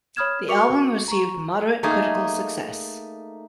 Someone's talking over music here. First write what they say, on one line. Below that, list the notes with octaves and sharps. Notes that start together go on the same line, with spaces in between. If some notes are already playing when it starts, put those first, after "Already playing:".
The album received moderate critical success.
C#5 B5 D#6 F6 G#6 E7
F#4 A#4 C#6 D6 C#7 F7
A#5 C#6
A3 A#3 D#4 G#4